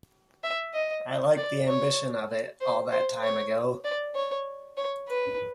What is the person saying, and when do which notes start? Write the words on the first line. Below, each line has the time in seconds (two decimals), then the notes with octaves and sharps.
I like the ambition of it, all that time ago.
0.44 E5
0.74 D#5
1.37 D5
1.68 C#5
2.61 C5
2.92 C5
3.23 C#5
3.84 D5
4.15 C#5
4.77 C#5
5.09 B4